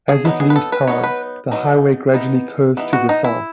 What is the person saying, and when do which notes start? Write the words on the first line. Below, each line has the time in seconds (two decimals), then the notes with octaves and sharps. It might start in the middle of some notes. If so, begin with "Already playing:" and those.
As it leaves town, the highway gradually curves to the south.
0.09 G#4
0.25 F#3 B3 D#4 E4
0.40 G#4
0.50 B4
0.56 A4
0.72 B4
0.87 F#3 B3 D#4 C#5
1.04 B4
1.51 F#3 B3 D#4
2.14 E3 B3 D#4
2.77 E3 B3 D#4
2.93 F#4
3.09 D#4
3.24 E4